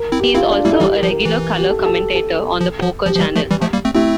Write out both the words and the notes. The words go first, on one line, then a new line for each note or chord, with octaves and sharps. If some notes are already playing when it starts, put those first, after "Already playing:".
He is also a regular color commentator on "The Poker Channel".
Already playing: A#4
C4 E4
G4
C4 E4 F4
D4
G3 A#3 E4
A4
E3 G3 G4
A#4
F3
A#4
E3
G4
A4
G4
A4
A4
F3
F3
F3 G4
F3
E3 G3
F3 A3
E3 G3
F3 A3
G3 A#3
A3 C4
A3 C4 E4